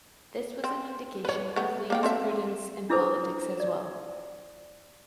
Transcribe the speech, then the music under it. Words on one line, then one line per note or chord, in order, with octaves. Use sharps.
This was an indication of Liu's prudence in politics as well.
C4
B4 C#5
A3 B3
A#3 F5 G5
C4 A4 E5
D4 E4 G#4 A4 B4 C5
D5